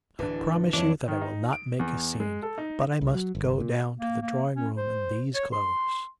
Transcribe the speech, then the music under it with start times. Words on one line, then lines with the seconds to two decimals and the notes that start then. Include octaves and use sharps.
I promise you that I will not make a scene, but I must go down to the drawing-room in these clothes.
0.19 D1 E3 D4
0.73 F2 E3 D4 E4 C#5 A5
1.08 D#3
1.21 D#4
1.53 D7
1.79 E2
2.20 G#3
2.43 A4
2.58 D#4
3.01 C2
3.15 F#3
3.35 G1
3.60 A#2
4.00 A#3
4.22 A#3
4.55 C#4
4.77 C5
5.35 C#5
5.53 C6